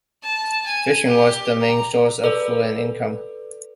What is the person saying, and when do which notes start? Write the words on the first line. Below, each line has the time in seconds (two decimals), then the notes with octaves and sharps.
Fishing was the main source of food and income.
0.23 A5
0.66 G#5
1.07 G4
1.61 A#5
2.24 A4 B4 D5